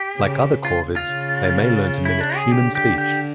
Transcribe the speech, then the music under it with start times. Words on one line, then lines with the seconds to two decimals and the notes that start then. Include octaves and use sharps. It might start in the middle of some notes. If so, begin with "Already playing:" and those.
Like other corvids, they may learn to mimic human speech.
Already playing: G4
0.17 C#3
0.65 F4
0.96 F4
1.11 C#3
2.05 E4
2.21 D4
2.36 G#4
2.52 D3 G4
2.75 G4
2.98 G4